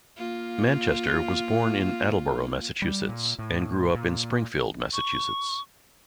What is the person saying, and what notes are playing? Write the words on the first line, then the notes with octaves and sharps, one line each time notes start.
Manchester was born in Attleboro, Massachusetts, and grew up in Springfield, Massachusetts.
A#3 F4
G3
A#2
A2
A#2
C#6